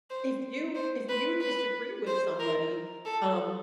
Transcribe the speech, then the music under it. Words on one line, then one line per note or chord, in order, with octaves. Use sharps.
if you if you disagree with somebody, um,
C5
C5
B4
B4
C5
A#4
A4